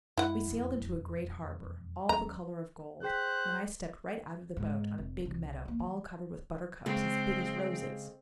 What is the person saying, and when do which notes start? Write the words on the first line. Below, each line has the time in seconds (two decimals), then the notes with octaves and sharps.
We sailed into a great harbor, all the color of gold, and I stepped right out of the boat on a big meadow all covered with buttercups as big as roses.
0.18 F#2 G#3 E4 F#5
0.48 E1 F2
2.09 D#2 F#3 C#4 A#5
3.03 G#4 C5 G5 F#6 B6
4.57 G#2 B2
4.98 F1
5.25 C2
5.65 F3 A#3
5.79 E3
6.86 C#3 G#3 C4